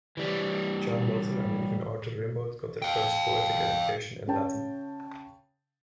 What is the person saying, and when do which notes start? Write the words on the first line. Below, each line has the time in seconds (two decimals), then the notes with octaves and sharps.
John Milton and even Arthur Rimbaud got their first poetic education in Latin.
0.17 E3 G3
2.82 F5 G5
4.27 C#3 C#4 G5 A5